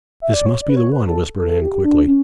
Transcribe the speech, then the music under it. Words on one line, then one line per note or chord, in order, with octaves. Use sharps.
'This must be the one,' whispered Anne quickly.
E5
D5
C#5
D5
B4
C#5
B4
A4
A4
A4
G4
G4
D4
C#4